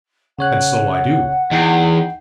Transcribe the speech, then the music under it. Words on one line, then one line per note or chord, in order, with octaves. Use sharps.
'And so I do.
C#3 C#5 F#5 F#6
E2 D#4 G5 C7